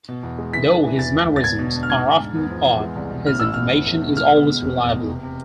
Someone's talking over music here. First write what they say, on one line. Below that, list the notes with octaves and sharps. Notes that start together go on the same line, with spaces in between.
"Though his mannerisms are often odd, his information is always reliable".
B2
E2
G#3
E3 B6
D4
E3
E1 A6
D2
E1
A6
B3 G#6
B2
D4
F6
G#2 G#6
G#2
G#2
E2
F3
E2
G#3
C2
B2
A2 F6
A1 E6
A2 F6
E2
A3
B2
G#3 F6
B3
B3
F1
E2
B2
C3
C3